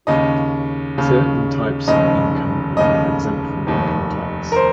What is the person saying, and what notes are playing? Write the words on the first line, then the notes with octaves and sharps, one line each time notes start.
Certain types of income are exempt from income tax.
D#2 C#3 D#5
D#2 C#3
F1 D#2 C#3 D#5
F1 D#2 C#3 D#5
F1 D#2 D#3
A#4
C5